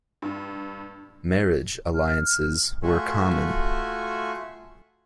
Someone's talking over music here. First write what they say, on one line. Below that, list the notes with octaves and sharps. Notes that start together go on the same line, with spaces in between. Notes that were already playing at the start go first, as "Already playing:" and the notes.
Marriage alliances were common.
G2
F6
A3 F4 F#4 E5 G#5 C#6